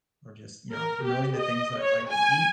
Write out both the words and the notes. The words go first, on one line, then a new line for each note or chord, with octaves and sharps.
or just, you know, knowing the things that I like to eat,
A#4
G4
D#5
C#5
G#5